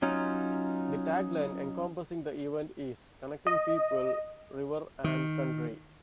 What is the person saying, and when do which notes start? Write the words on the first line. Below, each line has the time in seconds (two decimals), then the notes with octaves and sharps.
The tagline encompassing the event is 'Connecting People, River and Country'.
0.02 F#3 C#4 D#4 F4
3.47 D#5
5.04 D#3